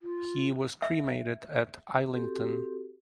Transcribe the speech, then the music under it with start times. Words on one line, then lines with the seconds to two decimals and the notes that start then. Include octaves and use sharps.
He was cremated at Islington.
0.02 F4
0.82 E5
2.14 C4 F#4 G4 A4